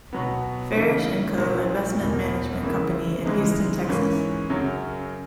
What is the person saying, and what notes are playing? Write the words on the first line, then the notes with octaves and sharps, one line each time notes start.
Farish and Co. investment management company in Houston, Texas.
B2 F#3 B3
C#3 E3 A#3 D#4
A#2 F#3 C#4 E4
E2 B2 A#3
C#3 E3 A#3 E4
C#3 E3 G#3 D#4
G#2 E3 A#3 C#4
F#2 C#3 F#3